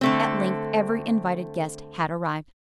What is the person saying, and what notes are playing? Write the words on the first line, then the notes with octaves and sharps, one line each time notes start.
At length every invited guest had arrived.
D3 A3 C4